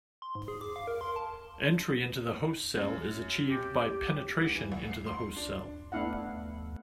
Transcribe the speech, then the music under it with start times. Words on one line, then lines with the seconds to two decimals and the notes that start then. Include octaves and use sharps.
Entry into the host cell is achieved by penetration into the host cell.
0.22 C6
0.35 G#2
0.48 G#4
0.61 D6
0.76 F5
0.87 A#4
1.01 C6
1.16 A5
2.77 F#2
3.45 G4
4.41 G#2
4.55 E3
4.72 C2
4.91 C7
5.06 C6
5.36 D4
5.92 A3 B3 D4 E4 F5 F#5